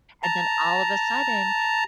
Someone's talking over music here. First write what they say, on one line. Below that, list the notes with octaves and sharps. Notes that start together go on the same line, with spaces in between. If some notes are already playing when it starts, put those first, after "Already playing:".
And then all of a sudden,
A5 A#5